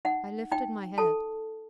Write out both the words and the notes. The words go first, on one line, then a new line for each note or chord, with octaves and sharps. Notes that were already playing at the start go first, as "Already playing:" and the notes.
I lifted my head.
D#4 F#5
D#4 G5
A4 A5